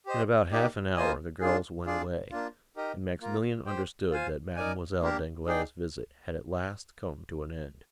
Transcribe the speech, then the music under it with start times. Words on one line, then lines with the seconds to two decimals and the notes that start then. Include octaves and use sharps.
In about half an hour the girls went away, and Maximilian understood that Mademoiselle Danglars' visit had at last come to an end.
0.06 G4 C5 D#5
0.51 A#3 D#4 G4 D5
0.96 A#3 F4 C5 D#5 G#5
1.40 D4 F4 G#4
1.86 D4 F4 G#4 D5
2.31 A#3 D4 F4
2.76 D#4 G4 A#4 D#5
3.21 A#3 F4 A#4
3.66 G4 C5 G5
4.11 F4 C5 F5 G#5
4.56 D#4 A#4 D5 G#5
5.02 A#3 D4 G4 A#4
5.46 D#4 G#4 D5 G5